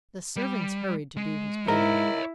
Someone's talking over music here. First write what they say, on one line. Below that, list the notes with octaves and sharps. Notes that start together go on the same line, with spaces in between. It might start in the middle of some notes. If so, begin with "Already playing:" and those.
The servants hurried to do his bidding.
G3
G#3
G#2 E4 A#4 C#5 D#5